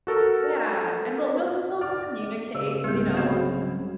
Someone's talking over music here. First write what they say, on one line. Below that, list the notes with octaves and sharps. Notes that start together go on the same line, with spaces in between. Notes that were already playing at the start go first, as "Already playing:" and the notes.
Yeah, and we'll we'll we'll communicate, you know,
F#4 A4 A#4
D5 D6 F6
C#3 E6
C2 G#2 B3 G6
C#3 F#3 C4 F#4 G#6